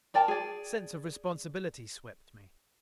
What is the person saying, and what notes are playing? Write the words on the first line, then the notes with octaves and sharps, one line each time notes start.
A sense of responsibility swept me.
A#4 D5 G5 A5
G#4 D5